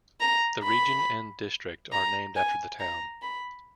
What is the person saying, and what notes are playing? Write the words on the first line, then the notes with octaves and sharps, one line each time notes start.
The region and district are named after the town.
A#5
B5
A#5
G#5
A#5
B5